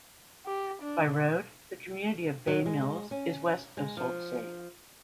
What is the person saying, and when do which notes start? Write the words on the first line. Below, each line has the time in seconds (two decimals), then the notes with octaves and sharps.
By road, the community of Bay Mills is west of Sault Ste.
0.46 G4
0.82 D4
2.47 F#3
2.66 G#3
3.11 C#4
3.77 G#3
3.97 F3